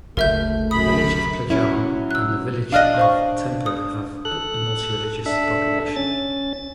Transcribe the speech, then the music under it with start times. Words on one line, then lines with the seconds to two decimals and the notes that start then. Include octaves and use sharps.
The village of Plajan and The village of Tempur has a multi-religious population.
0.17 F#1 D2 A3 A#4 E5 G6
0.71 F#2 B5 D#6
1.50 F#3 C#4 E4
2.11 E6 F#6
2.72 D4 D5 D#5 F5 F6 F#6
2.98 C5 F5 C#6
3.66 D#6
4.25 A4 F#6
5.26 D4 A4 E5
5.96 C#4 A6